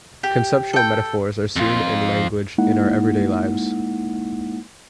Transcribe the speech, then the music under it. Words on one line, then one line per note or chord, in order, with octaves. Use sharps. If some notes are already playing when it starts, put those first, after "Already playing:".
Conceptual metaphors are seen in language in our everyday lives.
G4
A4 G5
F2 F4
G#3 A#3 D#4 E4 F#5